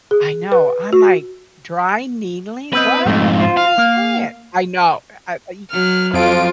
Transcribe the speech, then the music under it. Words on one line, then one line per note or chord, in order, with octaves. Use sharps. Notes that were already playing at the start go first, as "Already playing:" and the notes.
I know, I'm like, dry needling, what in the world is that? I know. I uh e
G#4
B4
F#4
B3 C4 B4 D#5
F2 G#2 A3
F4 C5
F5
A#3
F#3 F6
F2 F3 F4 D7